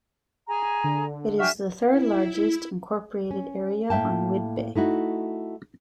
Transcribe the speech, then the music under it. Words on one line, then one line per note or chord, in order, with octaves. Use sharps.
It is the third largest incorporated area on Whidbey.
G#4 G#5 A#5
D3
D4 F#4 E5 G5 G#5 F6
E4
C#4
A2 A#3 E5 G5 A5
A3 D#4 E4 F#4